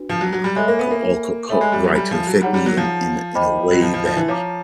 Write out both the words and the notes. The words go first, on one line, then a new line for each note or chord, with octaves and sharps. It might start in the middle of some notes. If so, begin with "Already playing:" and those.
uh, go all co co right to affect me in in a in a way that
Already playing: D4 F#4 B4
F3
F#3
F#3
G3
G#3 A4 C#5 E5 G#5 B5
A#3
B3
A#3
A3 A4 C#5 E5 G#5 B5
G#3
G3
F#3
G3
F3
F#3
G3 D#4 G#4 C#5 F#5 A#5
G3
F#3
F3
C5 D#5 G5 B5 D6
F#3
F3
F3
F3
E3
F3 C#5 F5 A#5 D6